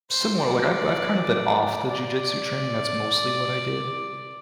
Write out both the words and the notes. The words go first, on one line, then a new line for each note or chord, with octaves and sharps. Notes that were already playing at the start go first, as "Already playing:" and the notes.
similar, like, I've I've kind of been off the jujitsu training, that's mostly what I did,
C5
D5
D5